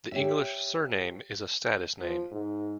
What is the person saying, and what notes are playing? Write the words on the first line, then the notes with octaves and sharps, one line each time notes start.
The English surname is a status name.
G4 C#5 E5
F3
G#2